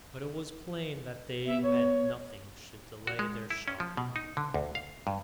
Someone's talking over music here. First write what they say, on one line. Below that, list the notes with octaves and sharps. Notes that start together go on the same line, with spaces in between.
But it was plain that they meant nothing should delay their shot.
B3 E5
C#5
F#4
G#3
E4
C#4
F3
B2
D#4
D3
D2
F5
G2